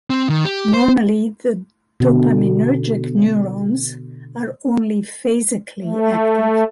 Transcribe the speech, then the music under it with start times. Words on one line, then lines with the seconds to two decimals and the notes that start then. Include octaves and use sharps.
Normally, the dopaminergic neurons are only phasically active.
0.10 C4
0.30 D#3
0.45 G4
0.74 C5
2.00 B2 D3
5.84 A3